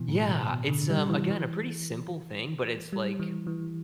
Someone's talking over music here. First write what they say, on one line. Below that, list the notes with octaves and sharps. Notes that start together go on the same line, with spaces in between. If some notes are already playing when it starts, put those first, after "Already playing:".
Yeah, it's, um, again, a pretty simple thing, but it's like,
Already playing: B2 E3
A2
B2
B2
D3
G3
E3
E3
G3
E3
E3